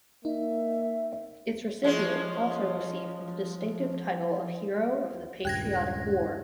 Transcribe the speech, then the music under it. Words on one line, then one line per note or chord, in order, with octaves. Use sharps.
Its recipient also received the distinctive title of Hero of the Patriotic War.
A#3 D#4 E5
F3 G#3 C#4
D#1 C#2 G2 G5 F#6 G#6 A#6